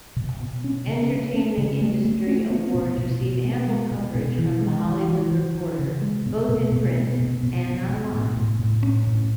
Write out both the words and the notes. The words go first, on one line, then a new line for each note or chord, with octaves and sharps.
Entertainment-industry awards receive ample coverage from "The Hollywood Reporter", both in print and online.
B2
B2
C#4
C#3
C#4
C#4
C#3
A3
A3
C#4
B3
B2
B2
B2
B3
G#3
B2
B2
E3
G#3
E3
E3
E3
E3
C#3
G#3
B2
B2
B2
B3
B2
B2
B2
B2
A2
A2
A2
C#4
A2